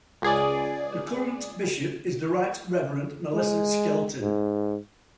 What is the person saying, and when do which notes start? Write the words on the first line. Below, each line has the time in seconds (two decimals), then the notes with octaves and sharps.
The current Bishop is the Right Reverend Melissa Skelton.
0.22 C#2 G#4 D5
3.34 G#3
4.20 G#2